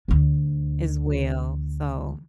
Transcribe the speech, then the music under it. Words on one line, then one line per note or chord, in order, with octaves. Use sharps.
as well, so
D2 D4